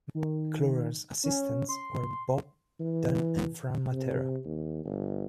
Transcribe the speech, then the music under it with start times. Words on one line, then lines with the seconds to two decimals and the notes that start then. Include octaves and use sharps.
McClure's assistants were Bob Dunn and Fran Matera.
0.15 D#3
1.24 C#4
1.69 C6
2.80 E3
3.93 C3
4.45 D#2
4.86 G1